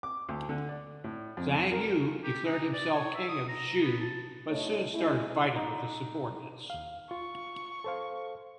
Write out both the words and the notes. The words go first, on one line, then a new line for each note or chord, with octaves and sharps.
Zhang Yu declared himself King of Shu but soon started fighting with his subordinates.
D6
D2
D3
D5
A2
F2
A#4
G4
D#4
D5
C#5
E5
D#6
A#5
B3
A5
F#2 A3 D4 E4 C#5 D#5
G#3 A3 C#4 E4
D#4 D#5
D#2 F5
F4 C#6
A4 C5 F5